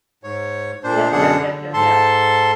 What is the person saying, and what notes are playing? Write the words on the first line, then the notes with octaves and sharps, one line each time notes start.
Yep, yep, yep, yep, yep.
G#2 C#5
A#2 D4 C5
F#2 B2 D3 D4 G#4 F#5
D3
G#2 A4 A5 C6